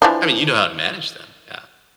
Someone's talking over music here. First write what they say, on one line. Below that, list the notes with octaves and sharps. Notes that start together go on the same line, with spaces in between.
I mean, you know how to manage them, yeah.
E3 F3 D4